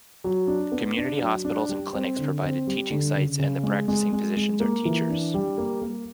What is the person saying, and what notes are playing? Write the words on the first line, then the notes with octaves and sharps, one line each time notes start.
Community hospitals and clinics provide teaching sites and the practicing physicians are teachers.
F#3
D4
B3
D4
F#3
D4
G3
C4
D3
C4
G3
D3
C#3
C#3
G#3
G#3
G#3
G#3
A#3
E3
D4
G3
A#3
A#3